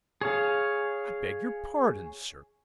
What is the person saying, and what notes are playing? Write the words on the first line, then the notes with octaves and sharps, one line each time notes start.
I beg your pardon, Sir.
G#4 C#5 F5